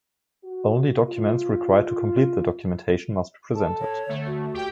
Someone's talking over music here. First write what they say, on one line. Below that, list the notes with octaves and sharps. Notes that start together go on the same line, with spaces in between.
Only documents required to complete the documentation must be presented.
F#4
F4
F4
A4
C#5
D3 A3
F#4
D#2 G4 G5